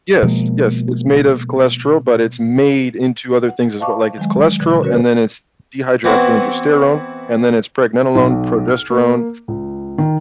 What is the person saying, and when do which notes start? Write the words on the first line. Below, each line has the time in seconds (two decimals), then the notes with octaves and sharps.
Yes yes, it's made of cholesterol, but it's made into other things as well, like it's cholesterol and then it's dehydroepiandrosterone and then it's pregnenolone, progesterone,
0.23 B2 F3 G#3 A#3
3.48 F#5
3.79 C5 D#5 F5 A5 C#6 D6
4.18 D#3 F#3 G#3
4.60 B2 D3 G#6
4.83 C#4 F#4 A#4 B4 C#5
6.04 E3 B3 C4 E4 F#4
8.15 B1
8.68 F6
8.90 A#3
9.48 C#2
9.98 D#3